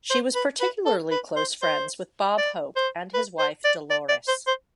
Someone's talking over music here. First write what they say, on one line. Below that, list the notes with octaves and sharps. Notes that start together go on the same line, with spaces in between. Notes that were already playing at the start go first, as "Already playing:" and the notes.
She was particularly close friends with Bob Hope and his wife Dolores.
C5
B4
B4
A4
B4
C5
C5
D5
C5
B4
C5
D5
D5
D5
C5
C5